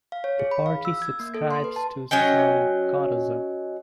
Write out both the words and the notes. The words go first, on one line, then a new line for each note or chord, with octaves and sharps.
The party subscribes to Sankarism.
F5
C#5
G#4
B5
F5
E6
G#6
A#3
A4
C6
B4
A5
F#3 C#4 D#5 G5